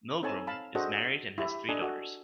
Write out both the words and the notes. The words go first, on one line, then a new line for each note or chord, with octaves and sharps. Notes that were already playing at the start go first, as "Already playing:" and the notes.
Milgrom is married and has three daughters.
C4 D#4 A4 C#5 G#5 A5
F5 A5 B5
D4 F#4 G#4 A4 C5 D#5
E4 G4 E5
D4 A4 D#5 G#5
F#4 A4